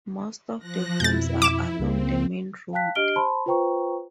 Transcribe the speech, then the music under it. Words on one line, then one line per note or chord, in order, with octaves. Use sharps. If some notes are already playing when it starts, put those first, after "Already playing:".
Most of the homes are along the main road.
F3 F#6 A#6
F2 B2 E4 G6 A6
D6 E7
C#2 C#3 A#3 C4
F5 G5 A5 F#6 B6
D4 G4 D#5 F6 D7 G7
C5 A5 B5 C6
F4 B4 C5 G5 A#5 C#6